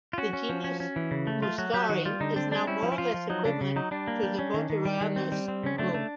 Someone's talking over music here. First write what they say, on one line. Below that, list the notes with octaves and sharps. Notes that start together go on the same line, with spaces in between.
The genus "Muscari" is now more or less equivalent to the Botryanthus group.
F4
C#4 F#4
C#4
F3
C#4
C#4
E3
C#3
A3
A3 F4
F#3 F#4
F#3 G4
D#3 F#4
G3 F4
D3 D#4
C4 D4
G3 D4
C#4 E4
F3
E4
F3 F4
F3
F#3 D#4
C#3 D4
C#3
F#3 D#4
G3 D4
A#3
G3
C#4
D#3
D#3
G3
D#3
C4
G3
C4
C#3 C#4
A3 D4
A3